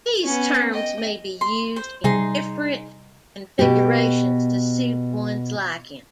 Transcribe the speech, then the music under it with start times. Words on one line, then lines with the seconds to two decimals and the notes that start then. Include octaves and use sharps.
These terms may be used in different configurations to suit one's liking.
0.24 B3 C#4
0.73 D#5 G5
1.41 C6
1.76 C5
2.04 C3 G3 D#4 G#4 C6
3.59 B2 G4